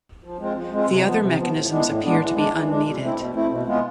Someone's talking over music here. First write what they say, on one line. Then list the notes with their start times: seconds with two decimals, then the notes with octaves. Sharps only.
The other mechanisms appear to be unneeded.
0.24 F3
0.40 G#3 C4 F4
0.57 F3
0.73 G#3 C4 F4
0.89 C3
1.05 F3 B3
1.22 C3
1.38 F3 B3
1.54 A2
1.70 E3 G#3 B3 D4
1.87 A2
2.04 E3 G#3 B3 D4
2.20 E3
2.36 G#3 D4
2.52 E3
2.69 G#3 D4
2.85 B2
3.01 A3 C4 E4
3.18 B2
3.34 A3 C4 E4
3.50 B2
3.67 G#3 B3 F4